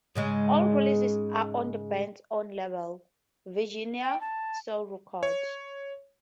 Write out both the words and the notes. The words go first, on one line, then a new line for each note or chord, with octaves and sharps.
All releases are on the band's own label, Virginia Soul Records.
G#2 C#3 G#3
G5
A5
C#5